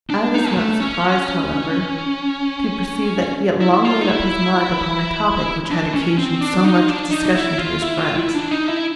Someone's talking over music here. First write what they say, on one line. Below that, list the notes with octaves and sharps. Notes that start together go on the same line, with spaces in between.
I was not surprised, however, to perceive that he had long made up his mind upon a topic which had occasioned so much of discussion to his friends.
D4
D#4
G#3
A3
C#4
E4
E4
F4
D#4
E4
D4
C#4
C4
D4
D#4
D4
D#4
D#4
E4
F4
E4
F4
E4
D4
D#4
E4